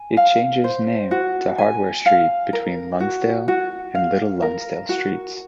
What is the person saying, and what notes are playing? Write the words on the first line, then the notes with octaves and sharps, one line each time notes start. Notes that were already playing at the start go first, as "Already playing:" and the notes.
It changes name to Hardware Street between Lonsdale and Little Lonsdale Streets.
Already playing: G#5
F5
C5
F#4
G#5
F5
A#4
F#4
F#4
F5
A#4
F#4